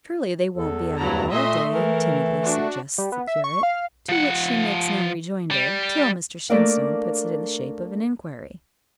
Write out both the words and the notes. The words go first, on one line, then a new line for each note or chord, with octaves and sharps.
"Surely, they won't be out all day," timidly suggests the curate; to which she makes no rejoinder, till Mr Shenstone puts it in the shape of an inquiry.
E2 A4
D2 G2 F#3 E4 A5 A#5
A#2 A3 D#5 E5 C6
E3 A#4
D4 F#4
G3
B3
E5
C#6
F5
F3 F#5
G3
A3 A#3 D4 A#4 D5 F5